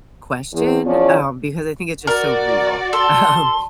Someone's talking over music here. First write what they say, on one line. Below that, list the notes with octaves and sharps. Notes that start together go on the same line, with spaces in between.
question, um, because I think it's just so real. Um,
E2
E2 F3 C#4 C#5 D5
F#4 A#4 D5
A4 C6